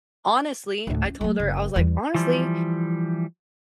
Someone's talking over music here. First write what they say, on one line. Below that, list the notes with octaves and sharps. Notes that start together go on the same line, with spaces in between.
honestly, I told her, I was like, "Honestly,
D2 A2
C#4
F#3 A3
F#1
E2 G3
E3 F3 G3